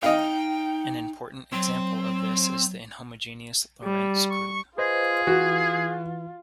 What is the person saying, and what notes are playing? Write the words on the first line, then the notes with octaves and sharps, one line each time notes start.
An important example of this is the inhomogeneous Lorentz group.
D#4 D#5 F5 G5
F#3 C4
G3
C#6
F4 G#4 B4 C5 D#5
E3 F#4